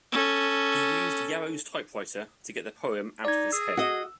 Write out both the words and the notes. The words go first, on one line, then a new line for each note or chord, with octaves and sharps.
He used Yarrow's typewriter to get the poem out of his head.
C#4 A4
D#4 D5 G#6
G#4 E6
F#4 D#5